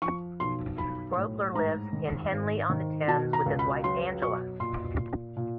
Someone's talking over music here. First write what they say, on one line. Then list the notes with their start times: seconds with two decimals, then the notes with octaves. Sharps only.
Grobler lives in Henley-on-Thames with his wife Angela.
0.02 F3 C#6
0.40 B1 C6
0.78 B1 B5
1.17 A2
1.55 G#2 A#5
1.93 D#3
2.32 G#1
2.70 D#3
3.08 B2 A5
3.33 A#5
3.46 C#2
3.59 B5
3.84 F#3 C6
4.22 B2 C#6
4.60 A#2 C6
4.98 A#2
5.37 A#2